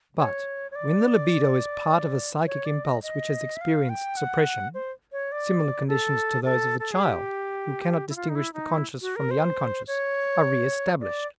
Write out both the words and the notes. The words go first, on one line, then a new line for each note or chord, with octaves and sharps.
But when the libido is part of a psychic impulse which has experienced suppression, similar conditions to those of the child, who cannot distinguish the conscious from the unconscious, are reestablished.
C#5
C#5
D5
C#5
D5
D#5
D#5
E5
F5
G5
F#5
C5
C#5
D5
A4
A4
A4
G#4
G4
E4
F4
D#4
E4
D#4
E4
F#4
A#4
C5
C#5
D5